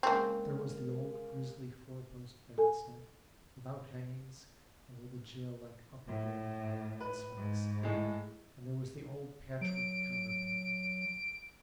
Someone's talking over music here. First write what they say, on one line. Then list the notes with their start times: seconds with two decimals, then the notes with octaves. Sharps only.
There was the old grisly four-post bedstead, without hangings, and with a jail-like upper rim of iron and spikes; and there was the old patch-work counterpane.
0.03 C#3 G#3 A#3 C4 F5
2.58 A4 G#5
6.08 A2
7.00 B4
7.37 G#2
7.83 A2 G#3
9.61 F#3 D7